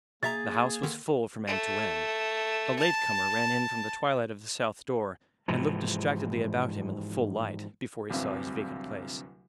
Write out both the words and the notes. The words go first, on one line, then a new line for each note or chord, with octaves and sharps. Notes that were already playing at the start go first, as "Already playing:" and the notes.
The house was full from end to end; a late comer ran in from the twilight of the south door and looked distractedly about him in the full light before he saw his vacant place.
B2 A#3 G#4 E5 A#5 A6
D3 D#3
A3
A5
G#2 C3 E3 F3
D1 C2 G2 C3